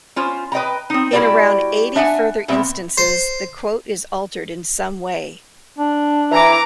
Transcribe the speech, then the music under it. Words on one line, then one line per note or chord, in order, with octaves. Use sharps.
In around eighty further instances, the quote is altered in some way.
C#4 F4 C5
B4 D#5 G5 A#5
C4 D#4
G3 E4 F#4 G4 D5
D4 E5 F#5 G#5
A#2 B3 C4 E5
C5
D4
E3 A#5 D6